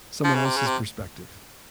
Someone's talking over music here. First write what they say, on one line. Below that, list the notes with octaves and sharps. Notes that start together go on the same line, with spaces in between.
someone else's perspective.
F3
C#3
C3
C#3
C3